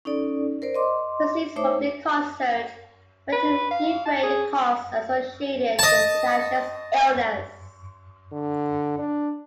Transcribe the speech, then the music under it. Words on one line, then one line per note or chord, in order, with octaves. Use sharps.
Proceeds from the concert went to defray the costs associated with Natasha's illness.
C#4 D#4 A4 D5
A#4 C5 D5
D#5 C6 D6
A3 D#4 C5 C#5 E5 D6
B4
F5
A5
G#4
D#5 A5
D3
D4